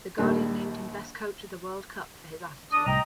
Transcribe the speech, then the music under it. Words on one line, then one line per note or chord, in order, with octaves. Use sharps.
The Guardian named him "Best Coach of the World Cup" for his attitude.
A#1 D#2 G3
D4 D#6
C2 A2 D#5 G5 A#5